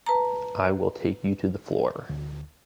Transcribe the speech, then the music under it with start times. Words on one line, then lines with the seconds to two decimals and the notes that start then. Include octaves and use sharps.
I will take you to the floor.
0.06 B4 A5 A#5
2.10 D2